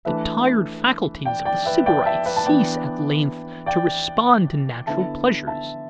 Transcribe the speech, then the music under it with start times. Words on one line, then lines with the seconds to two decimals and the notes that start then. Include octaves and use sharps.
The tired faculties of the Sybarite cease at length to respond to natural pleasures.
0.05 E3 A3 D4 B4 E5
1.25 D5 G5
1.45 D5 G5
1.66 B4 E5
1.86 D5 G5
2.06 E5 A5
2.26 B4 E5
2.36 A5
2.46 E3 B3 D4 D5 G5
3.66 D5 G5
4.87 D3 B3 E4 E5 A5
5.47 E5 A5